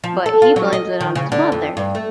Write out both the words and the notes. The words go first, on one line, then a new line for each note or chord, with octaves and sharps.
but he blames it on his mother.
F3
A4
F4
F#3
D#5
D#3
C#3
D3
F2
G2
A3